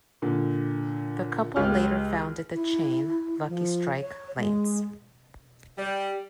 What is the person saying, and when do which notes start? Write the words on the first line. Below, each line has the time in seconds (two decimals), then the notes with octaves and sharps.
The couple later founded the chain Lucky Strike Lanes.
0.22 A#2 D3
1.56 C#2 G4 F5 F6
2.54 E4
3.48 F3
4.01 C#5
4.38 G#3
5.77 G3